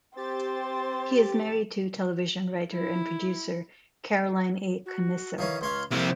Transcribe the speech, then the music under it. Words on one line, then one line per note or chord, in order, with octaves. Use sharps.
He is married to television writer and producer Caroline A. Commisso.
C4 G4 C5 A6
E4
F#4
D#3 E3 C#4 F5
C#2 C#5 F5 C6
F2 C3 A#3 E4 C5